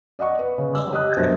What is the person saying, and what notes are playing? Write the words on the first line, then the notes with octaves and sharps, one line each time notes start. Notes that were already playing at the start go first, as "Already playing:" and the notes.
Oh, okay.
D5 D#5 F#5 C#6
B4
C#3
E6
G4 D#5 D#6 F#6
F#2 B2 D4 C5